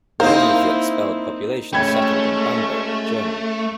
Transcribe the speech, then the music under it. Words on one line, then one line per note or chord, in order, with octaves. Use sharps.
Many of the expelled population settled in Bamberg, Germany.
A#3 C4 D#4 E4 A#4 C5 F5
D2 G#3 A3 C#4 G5 B5 G#6